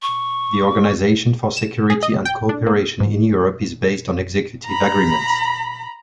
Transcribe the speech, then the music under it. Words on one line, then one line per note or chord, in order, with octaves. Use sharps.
The Organization for Security and Co-Operation in Europe is based on executive agreements.
C#6
E7
G#4
D#5
G5
D4
A#3
G#2
A#5 B5